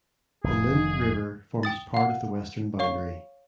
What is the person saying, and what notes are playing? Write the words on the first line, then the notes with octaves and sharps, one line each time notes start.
The "Lynd River" forms part of the western boundary.
F1 G#4
G5 D#6 A6
F5 F#5
C#5 F5 C#6